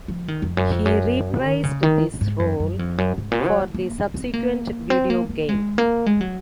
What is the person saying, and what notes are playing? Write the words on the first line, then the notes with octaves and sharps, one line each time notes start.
He reprised this role for the subsequent video game.
F3
D#3
F2
F#2
F2
F#2
D#3
C#3
D#3
G#2
F#2
F#2
F2
F#2
G#2
A#2
F#3
A#3
A#3
C4
A#3
C4
A#3
A#3
G#3
A#3
G#3
F#3